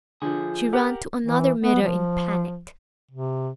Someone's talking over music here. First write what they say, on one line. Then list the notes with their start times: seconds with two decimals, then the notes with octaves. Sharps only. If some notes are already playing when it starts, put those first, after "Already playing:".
She ran to another mirror in panic.
0.22 D3 F3 G#4
0.73 G4 A#4 F#5
1.27 E3
1.61 B3
1.82 F3
3.11 C3